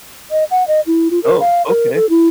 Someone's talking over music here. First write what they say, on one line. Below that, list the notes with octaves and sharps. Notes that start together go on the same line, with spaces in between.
Oh, okay.
D#5
F#5
D#5
E4
F4
A#4
F5
A#4
A4
E4